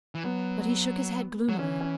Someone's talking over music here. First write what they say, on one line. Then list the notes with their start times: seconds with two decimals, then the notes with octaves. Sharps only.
But he shook his head gloomily.
0.15 E3
0.25 F#3 B3
1.49 F#3
1.58 E3 C#4
1.81 C#4